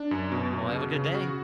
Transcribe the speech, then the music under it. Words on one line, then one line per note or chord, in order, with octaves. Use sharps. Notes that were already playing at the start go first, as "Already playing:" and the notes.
Well, have a good day.
Already playing: D4
F#2
B2
B2
C#3
C#3
F#4